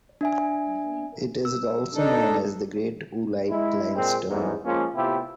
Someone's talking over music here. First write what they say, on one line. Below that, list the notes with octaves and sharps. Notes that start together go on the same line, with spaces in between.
It is also known as the Great Oolite Limestone.
D4 E5 G#5
E6
D4 D#4 A4
G#3 E4
A#2 G#3 C4
A1 E2 G#2
F3 G#3 A#3 C#4 F4
A2 C3 B3 E4 F4 G4